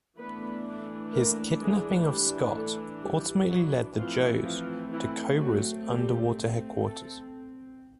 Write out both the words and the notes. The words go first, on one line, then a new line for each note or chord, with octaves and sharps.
His kidnapping of Scott ultimately led the Joes to Cobra's underwater headquarters.
E3 A3 B3 D4 B4
A#3 A#4
G#3 G#4
G3 G4
A3 A4
G3 G4
F#3 F#4
E3 F3 A3 C4 F4
F3 F4
E3 E4
F#3 F#4
G3 G4
A3 A4